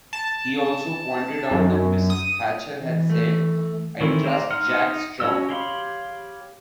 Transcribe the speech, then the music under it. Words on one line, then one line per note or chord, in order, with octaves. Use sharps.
He also pointed out that Mrs Thatcher had said, I trust Jack Straw.
A5
F#2
D#6
E3
A3
D#3 E3 A3 C4 E4
C5 D5 A#5
D#4 F#5 C6 F6
C#4 F#4 C#5 D#5 E6
G4 C#5 F5 B5 C6